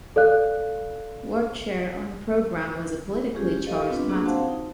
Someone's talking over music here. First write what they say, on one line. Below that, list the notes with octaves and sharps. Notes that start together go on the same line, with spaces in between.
Workshare on the programme was a politically charged matter.
A4 D5 F5 F#6
G#3 C#4 F4 G4 G#4
G4 A4 D#5 F5
B3 C4 D4 F4 B4
A#3 D4 F4 F#4 G#4
C4 F#4 C5 F5 F#5 A5
D#4